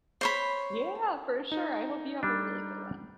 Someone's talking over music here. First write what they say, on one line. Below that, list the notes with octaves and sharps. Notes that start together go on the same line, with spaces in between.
Yeah, for sure. I hope you have a really good one.
C5 C#5 B5
D#4
G3 D4